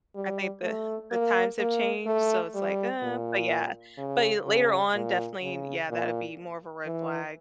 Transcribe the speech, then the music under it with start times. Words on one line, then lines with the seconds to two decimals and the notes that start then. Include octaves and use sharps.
I think the the times have changed, so it's, like, "Uh" But yeah, but you later on, definitely yeah, that'd be more of a red flag,
0.16 G3
0.63 A3
1.11 A#3
1.59 A#3
2.06 A3
2.55 G3
3.02 A#2
3.98 C#3
4.46 C#3
4.94 A#2
5.43 C#3
5.90 A#2
6.86 E3